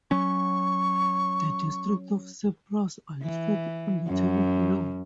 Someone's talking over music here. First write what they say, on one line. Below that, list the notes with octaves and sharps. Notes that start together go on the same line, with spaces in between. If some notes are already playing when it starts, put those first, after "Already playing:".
The districts of Cyprus are listed in the table below.
F#3 C#4 C#6
E3
F#2